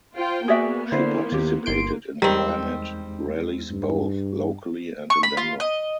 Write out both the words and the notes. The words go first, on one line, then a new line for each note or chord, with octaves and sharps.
She participated in climate rallies both locally and in Denver.
F4 C5 G5
A#3 B3 F#4 G#4 D5 E5
D3 E4 C5
D#2 G4
G1 A#3 C6 D7
E2 D#3 G3 G#3 C4 D#4
G2
C#6
B5
F4
D#5